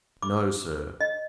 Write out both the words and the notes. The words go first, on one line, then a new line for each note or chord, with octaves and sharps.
No, sir!
D6
D#5